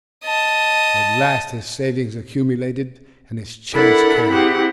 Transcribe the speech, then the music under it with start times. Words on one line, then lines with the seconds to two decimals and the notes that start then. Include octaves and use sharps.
But at last his savings accumulated, and his chance came.
0.24 D#5 A5
3.72 D4 E4 A4 A#4 F#5 B5
4.29 C4 E4 G4 G#4 F#5